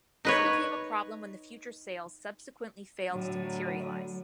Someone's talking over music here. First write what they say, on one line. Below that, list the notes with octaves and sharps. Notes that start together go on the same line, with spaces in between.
This became a problem when the future sales subsequently failed to materialize.
D#4 B4 C#5
A2 D3 F#3